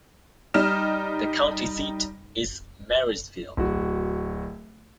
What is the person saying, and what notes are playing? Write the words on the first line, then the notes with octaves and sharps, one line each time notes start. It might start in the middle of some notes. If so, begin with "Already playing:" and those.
The county seat is Marysville.
G3 D#4 F6 E7
D1 F#4